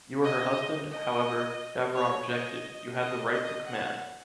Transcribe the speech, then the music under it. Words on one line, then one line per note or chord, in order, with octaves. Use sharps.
You were her husband, however, Daburon objected, you had the right to command.
D#5
D#5
C#5
D#5
D#5
D#5
F#5